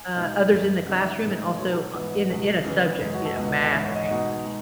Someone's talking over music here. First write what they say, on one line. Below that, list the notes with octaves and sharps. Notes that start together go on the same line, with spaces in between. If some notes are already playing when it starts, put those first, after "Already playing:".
uh, others in the classroom and also o in a in a subject, you know, math or english.
Already playing: G#5
B2 G#3 D#4
F#2 E3 G#3
C#3 G#3 D#4 F#5
E5
A2 E3 G#3 D#4
B2 F#3 A3 D#4 C#5
B4
A4
B4
G#2 E3 B3
C#2 B2 G#3
C#3 E3 G#3 B3
F#2 C#3 E3 G#3 G#4
F#4
A4
C#2 B2 G#3 B3 D#5
F#5
G#5
G#2 E3 G#3 B3 E5
C#5
D#5
B2 G#3 D#4 F#5
B2 G#3 D#4